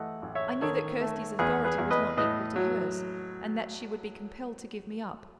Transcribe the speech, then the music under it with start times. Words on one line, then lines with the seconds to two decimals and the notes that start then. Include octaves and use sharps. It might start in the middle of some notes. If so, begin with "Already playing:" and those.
I knew that Kirsty's authority was not equal to hers, and that she would be compelled to give me up.
Already playing: E3 A3 D#5 F#5
0.22 A1
0.35 C#5 E5
0.61 D#3 A4 C#5
1.01 A3
1.39 E2 G#4 B4
1.65 G#4 B4
1.78 E2
1.90 B4 D#5
2.17 A2 B4 D#5
2.56 F#3